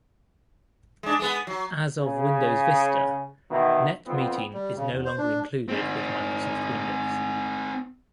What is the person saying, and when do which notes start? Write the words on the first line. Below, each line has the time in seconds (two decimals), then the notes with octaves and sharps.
As of Windows Vista, NetMeeting is no longer included with Microsoft Windows.
1.03 G#3 D4
1.19 G#3 B3
1.47 F#3
1.98 C#3
3.51 B2 D#3 E3 E4
4.07 F2 B3 C4
4.54 G3
4.76 C#3
4.90 E2
5.05 C5
5.18 D4
5.69 C4 D#4